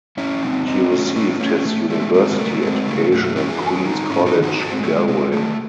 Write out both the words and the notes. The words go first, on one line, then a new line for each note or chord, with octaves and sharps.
He received his university education at Queens College Galway.
E2 C#4 E4
C3 F#3 C4 D#4
E2 C4 D#4
C3 F#3 A3 C#4
A2 A3 C#4
E3 G#3 A3 C#4
A2 A3
E3 G#3 A3
F#2 G#3 C4
C#3 F#3 A3
F#2 G#3 C4
C#3 F#3 A3
F#2 A3
A3
E3 G#3 C#4 E4
E4 G#4
F#2 F#4 A4
E3 G#3 D#4 F#4
G#2 C#4 E4
C4 D#4
D#3 F#3
D#4 F#4
G#2 F#4 A4
G#3 C4
D#3 F#3 A3
G#3
C3 G#3
D#3 F#3 A3